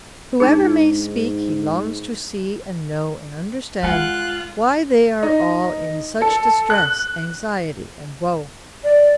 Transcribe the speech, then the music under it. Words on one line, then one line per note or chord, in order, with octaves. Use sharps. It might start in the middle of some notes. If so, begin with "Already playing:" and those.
Whoever may speak, he longs to see and know and understand why they are all in such distress, anxiety, and woe.
G#2 D4 D#4 G#4
G#3 F4 F5 F#5 G#5 F#6
D#4
A4
F#6
D5